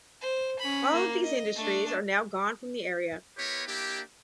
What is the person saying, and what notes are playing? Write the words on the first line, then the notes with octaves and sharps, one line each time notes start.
All of these industries are now gone from the area.
C5
C#4 B5
A#3
D#5
A3 D4
B3 E4 G4 A#4 B4 C#5
A#3 D4 E4 G4